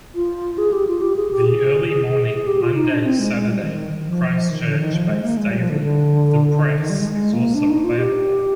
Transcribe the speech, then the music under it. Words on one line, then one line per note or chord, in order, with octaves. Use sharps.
The early morning Monday-Saturday Christchurch based daily The Press is also available.
F4
G#4
G4
F4
G4
G#4
G4
G#4
G#4
G4
F4
D#4
D4
C4
G#3
G#3
G3
D#3
F3
F3
D#3
D3
D#3
F3
G#3
A#3
G#3
G3
F3
D3
D3
D3
D#3
G3
G#3
G#3
A#3
D4
D#4
F4
G4